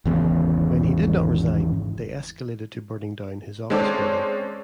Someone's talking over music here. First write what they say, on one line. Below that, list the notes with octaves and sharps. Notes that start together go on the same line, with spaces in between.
When he did not resign, they escalated to burning down his office building.
G#1 E2 C#3
G#3 C4 C#4 A4 C5 D5